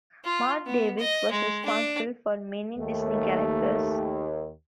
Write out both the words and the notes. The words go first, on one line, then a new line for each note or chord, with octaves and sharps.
Marc Davis was responsible for many Disney characters.
F4
B3
D#5
G#3
D4
D#2 A3